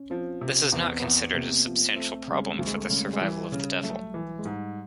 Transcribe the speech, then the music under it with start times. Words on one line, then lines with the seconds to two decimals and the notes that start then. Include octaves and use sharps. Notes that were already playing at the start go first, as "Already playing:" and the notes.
This is not considered a substantial problem for the survival of the devil.
Already playing: C#4
0.10 F3 C4
0.41 C3
0.72 E2 B3
0.87 C4
1.00 E2 B3
1.34 C3 A#3
1.66 F3
1.96 A3 C4
2.28 C#3 G3
2.40 G#3
2.50 A3
2.59 D2 A#3
2.67 G#3
2.74 A3
2.90 C#3 G#3
3.05 G3
3.14 G#3
3.21 E3 G3
3.52 C#3
3.83 F#3 A3
4.14 E3
4.39 G#3
4.45 G#2 G3